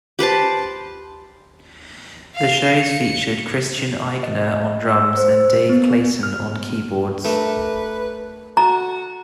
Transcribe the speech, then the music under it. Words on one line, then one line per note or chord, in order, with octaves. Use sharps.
The shows featured Christian Eigner on drums and Dave Clayton on keyboards.
G4 B4 C5 A5
F5
C#7
D#5
E6
C5
B3
F6
A3 D4 A#4 B4
F#4 A#5